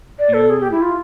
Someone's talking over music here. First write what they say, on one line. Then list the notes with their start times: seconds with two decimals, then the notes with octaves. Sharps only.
Do you
0.19 D5
0.34 A4
0.50 G#4
0.61 G4
0.71 E4
0.82 F4